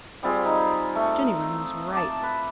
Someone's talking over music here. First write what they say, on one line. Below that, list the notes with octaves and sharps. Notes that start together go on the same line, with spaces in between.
Jenny Wren was right.
G3 C4 F4 G#4
D#4
A3
A5 D6
B4